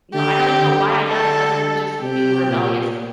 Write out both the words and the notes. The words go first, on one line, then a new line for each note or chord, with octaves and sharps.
you know, I don't even know why I've done it other than just being rebellious.
D3 G4
D3
A4
C3 G4
A#2